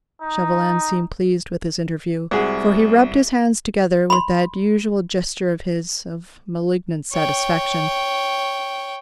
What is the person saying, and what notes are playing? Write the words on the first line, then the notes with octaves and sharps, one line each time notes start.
Chauvelin seemed pleased with his interview, for he rubbed his hands together, with that usual gesture of his, of malignant satisfaction.
D#4
C2 G#3 F#4 G#4
B5 C6
C#5 G5